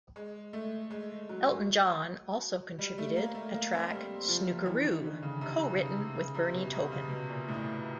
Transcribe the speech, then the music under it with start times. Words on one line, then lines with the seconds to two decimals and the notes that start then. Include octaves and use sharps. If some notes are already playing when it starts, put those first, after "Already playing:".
Elton John also contributed a track, "Snookeroo", co-written with Bernie Taupin.
0.16 G#3
0.53 A3
0.91 G#3
1.29 F#3
2.79 G3
2.98 A3
3.16 A#3
3.35 A3
3.54 A#3
3.73 C4
3.91 G3
4.28 F3
4.66 E3
4.85 D#3
5.04 D3
5.22 C#3
5.41 C3
5.79 C#3
6.16 C#3
6.34 C3
6.54 B2
6.73 C3
6.92 C#3
7.09 B2
7.29 A#2
7.48 A2